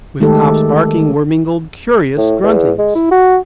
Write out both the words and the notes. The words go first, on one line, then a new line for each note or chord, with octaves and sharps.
With Top's barking were mingled curious gruntings.
D#3 G#3 A3 D#4 G4 A4
A2
E2
G#3
E4
F#4